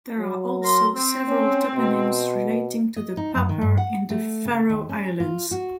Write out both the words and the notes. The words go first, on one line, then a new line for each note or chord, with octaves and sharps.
There are also several toponyms relating to the Papar in the Faroe Islands.
F#3
A#4 C6
C4
C#4
B2
D#5
D#4
F#2
D#3
G2
F#5
A3
C#3
D#2
C#4
F4
F#4